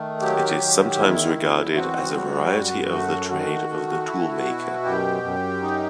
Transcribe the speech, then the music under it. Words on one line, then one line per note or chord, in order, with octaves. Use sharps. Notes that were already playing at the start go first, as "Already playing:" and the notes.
It is sometimes regarded as a variety of the trade of the toolmaker.
Already playing: D#3 A3
F#3 G4
D#3
E2 E4
E2
C4 F#4
G3
F#2
A3
D#3 F#4
A3
E4
B2
F#2 G4
F#2
D#4